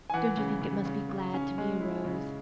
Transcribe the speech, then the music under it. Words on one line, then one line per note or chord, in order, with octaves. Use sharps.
Don't you think it must be glad to be a rose?
G#5
E3 F#5
C#3
C#3
C#3
C#3
C#4
G#3
E4
C#3